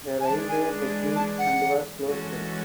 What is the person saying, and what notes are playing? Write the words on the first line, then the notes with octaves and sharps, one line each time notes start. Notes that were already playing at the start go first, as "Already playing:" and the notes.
The railway between and was closed.
G#5
E3 G#3 D4 G#4 A5
G#5
A5
F#5
E3 G#3 C#4 F#4 A4